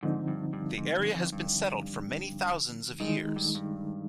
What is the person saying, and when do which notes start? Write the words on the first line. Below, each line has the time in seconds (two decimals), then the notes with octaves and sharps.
The area has been settled for many thousands of years.
0.03 G#2 D3 F3 C4 D#4
0.28 G2
0.53 G2
0.78 G#2
0.95 G2
1.14 F2
1.32 G2
3.00 G2 D#3 G#3 D#4
3.36 G2
3.55 G2